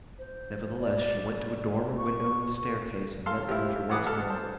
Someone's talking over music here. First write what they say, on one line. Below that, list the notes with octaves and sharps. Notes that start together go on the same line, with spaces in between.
Nevertheless she went to a dormer window in the staircase and read the letter once more.
C5
D5
C#6
A4
A4 F5 C6 F6
E4 F4 G4
G#2 E4 B4 F#5 D6 D#6
A4 F6
C5 A5